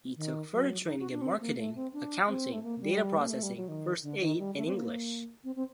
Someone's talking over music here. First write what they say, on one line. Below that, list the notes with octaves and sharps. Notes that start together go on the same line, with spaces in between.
He took further training in marketing, accounting, data processing, first aid and English.
D#3
F#3
D#4
F#4
D4
C4
A#3
A3
C4
D4
C4
A3
A#3
G3
A#3
A3
G3
F#3
D#3
D3
D#3
G3
A3
C4
A#3
C4
C4